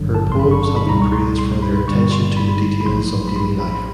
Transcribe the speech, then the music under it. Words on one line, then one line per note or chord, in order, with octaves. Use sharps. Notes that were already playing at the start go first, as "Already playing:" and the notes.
Her poems have been praised for their attention to the details of daily life.
Already playing: G#1 G2 D3 F#3
A5
C6
B5
C#6
C#6
B5
C#2 B2 G3 A#5
C#6
C6
C6
B5
G1 G2 D3 G3 C#6
C6
B5
B5
A#1 A2 F#3 C6
B5
C6
B5